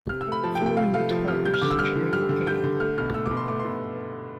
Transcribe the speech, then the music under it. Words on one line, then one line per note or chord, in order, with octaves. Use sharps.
Following guitarist Joe A.
C3 F6
E6
A3 B5
F3 A5
G5
C3
G5
C3 F5
A3 F5
F3
C3 F6
G3 G6
F6
D3 D6
E6
G3 F6
D3
G3 F6
D3
G3 G6
D3
A3 F6
B2 F6
A3 E6
D6
B2
C6
A3 D6
C6
B2